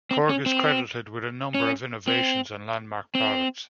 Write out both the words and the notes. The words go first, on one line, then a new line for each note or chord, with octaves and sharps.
Korg is credited with a number of innovations and landmark products.
C4
C#4
C4
C#4
C4
C4